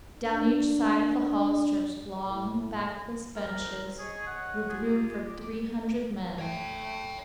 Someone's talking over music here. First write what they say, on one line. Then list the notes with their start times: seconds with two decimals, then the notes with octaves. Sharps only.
Down each side of the hall stretched long, backless benches, with room for three hundred men.
0.19 D4
2.26 A2
3.36 F3 A#4
3.58 A2 C5 E6
3.99 G#4 C#5 D#5 C#6
4.27 F#5
4.69 F4 G4 G#4
5.28 D6
6.39 A3 C#5 G5